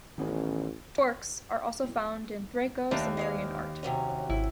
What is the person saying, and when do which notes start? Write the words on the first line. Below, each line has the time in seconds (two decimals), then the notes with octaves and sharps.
Torcs are also found in Thraco-Cimmerian art.
0.18 A1 D#3 B3 C#4
2.91 D#2 A3 A#3 D4
3.17 D2 G#3 F5
3.83 C3 F#3 C#4
4.30 G#1 E4